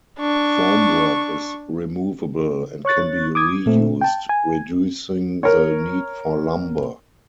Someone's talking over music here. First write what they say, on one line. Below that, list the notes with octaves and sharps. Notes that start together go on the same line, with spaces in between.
Formwork is removable and can be reused, reducing the need for lumber.
D4 C#6
C#5 C#6 F#6 A6
D6 D#6 G#6
A#2 A3 C4
G5 A5
G#5
A#4 C#5